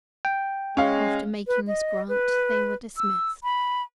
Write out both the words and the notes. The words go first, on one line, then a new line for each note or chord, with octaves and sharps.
After making this grant, they were dismissed.
G5
G#3 C#4 F5
B4
D#5
B4
E6
B5